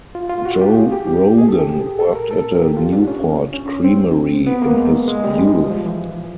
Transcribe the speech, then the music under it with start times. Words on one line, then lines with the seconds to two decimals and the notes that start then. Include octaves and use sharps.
Joe Rogan worked at a Newport Creamery in his youth.
0.15 F4
0.30 F4
0.45 F#4
0.61 G4
0.76 G#4
0.92 G4
1.07 G4
1.38 G#4
1.48 A4
1.59 G4
1.69 G#4
2.00 A4
2.15 A#4
2.31 A4
2.62 G4
2.77 F4
2.93 D4
3.08 C#4
3.53 C#4
3.84 C4
4.47 B3
4.62 A#3
4.77 G#3
5.08 G#3
5.24 G3
5.70 F3
5.86 E3